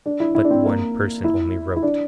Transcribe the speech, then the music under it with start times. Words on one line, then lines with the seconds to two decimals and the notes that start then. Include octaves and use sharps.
"But one person only wrote!"
0.06 D4
0.20 E4
0.35 E4
0.44 D4
0.51 C4
0.65 A#3
1.24 E4
1.76 E4
1.83 D4